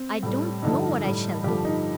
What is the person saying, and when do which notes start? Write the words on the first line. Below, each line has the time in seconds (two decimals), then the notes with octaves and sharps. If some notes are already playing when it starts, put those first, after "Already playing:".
I don't know what I shall do.
Already playing: C4
0.23 A2 G3
0.62 G2 D3 F3 D#4
1.04 A2 G3
1.43 G2 D3 F3 G4
1.65 D#4